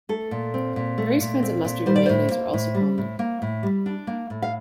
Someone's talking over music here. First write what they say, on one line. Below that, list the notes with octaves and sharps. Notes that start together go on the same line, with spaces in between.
Various kinds of mustard and mayonnaise are also common.
A3 A4
A#2
C4
A#2
A3
A#2
C4
A#2
G3 C5
D5
A2 C5
A#3
A2
G3
A2
A#3
A2
G3
D4
A#3
A2
F5